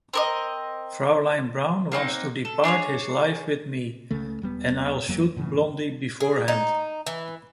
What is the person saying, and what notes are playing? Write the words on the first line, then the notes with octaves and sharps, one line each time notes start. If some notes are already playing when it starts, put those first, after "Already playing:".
Fraulein Braun wants to depart this life with me, and I'll shoot Blondi beforehand.
C4 A#4 D#5
A#3 C4 D#4 F#5
A4
D4 G#4 A#4 C#5
C#2 C#3 A3
E1 G3 B3
F#1 F2 F#3 A#3
F#2 A2 C#3 E3
G#4
D#4
E3